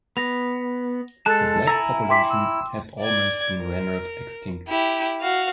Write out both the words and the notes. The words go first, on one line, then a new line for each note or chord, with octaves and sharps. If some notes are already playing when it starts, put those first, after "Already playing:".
The black population has almost been rendered extinct.
B3 A#6 F7
G#3 A4 A5 F#6
E4 G#5 A#5 E6
E5 G5 C6 D6
E6
D5 G#6
A#4
E4 G4
F#4 F5